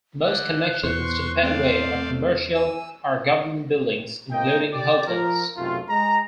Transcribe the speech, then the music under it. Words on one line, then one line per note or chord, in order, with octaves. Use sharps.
Most connections to the pedway are commercial or government buildings, including hotels.
D3 F#6
E2 C5 C6 C#6
A3 C4 C5 D5 F5
G#5 E6
G1 A#3 C4 D#5 G5
G4 D5
F3 A#4
B1 F#2 C3 A3 F4
G#3 A#5